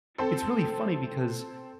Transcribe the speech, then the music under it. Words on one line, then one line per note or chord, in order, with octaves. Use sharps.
It's really funny because
C4 A4